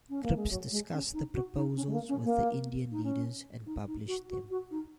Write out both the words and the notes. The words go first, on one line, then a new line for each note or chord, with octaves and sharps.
Cripps discussed the proposals with the Indian leaders and published them.
C#4
A#3
G#3
F#3
G#3
C#4
D#4
F#4
D#4
C#4
G#3
A#3
C#4
A#3
D#4
C#4
D#4
D#4
F#4
F#4
F#4
D#4